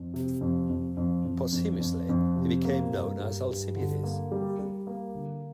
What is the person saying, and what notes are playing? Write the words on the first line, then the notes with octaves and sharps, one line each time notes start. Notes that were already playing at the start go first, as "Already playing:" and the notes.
Posthumously, he became known as "Alcibiades".
Already playing: F2
C3
F2
F2
F2
F2
F2
F2
F2
C3
A#3
G2
G3
G2
D3
A#3
G3
G3
A#3
D3